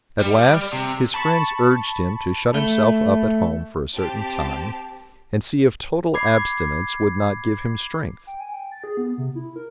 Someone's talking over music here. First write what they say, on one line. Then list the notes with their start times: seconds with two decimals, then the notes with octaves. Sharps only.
At last, his friends urged him to shut himself up at home for a certain time, and see if total abstinence would not give him strength.
0.19 G3
0.73 C3
1.14 A5 B5 C#6
2.54 A3
3.95 C4 G4 A5
6.14 B5 D6 G#6 C7
8.27 G5
8.39 G#5
8.53 G5
8.72 A6
8.84 G#4
8.97 B3
9.18 C3
9.35 E4
9.56 A#4